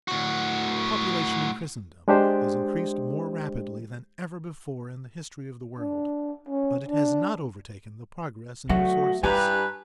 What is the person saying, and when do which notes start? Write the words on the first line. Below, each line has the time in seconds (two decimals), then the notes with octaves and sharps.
Population in Christendom has increased more rapidly than ever before in the history of the world, but it has not overtaken the progress in resources.
0.08 A2 F#4
2.08 G#3 D4 G4 C5
5.79 D4
6.49 C#4
6.87 D4
8.69 F#3 A3 F#4
9.23 G2 E4 B4 G#5 A#5